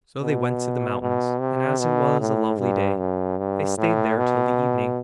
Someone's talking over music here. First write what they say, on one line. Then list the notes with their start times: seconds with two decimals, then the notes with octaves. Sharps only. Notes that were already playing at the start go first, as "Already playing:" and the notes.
So they went to the mountains; and as it was a lovely day, they stayed there till the evening.
0.22 B2
1.01 B2
1.40 C3
1.80 B2
2.20 A2
2.59 G2
2.99 F#2
3.39 G2
3.78 A2
4.17 B2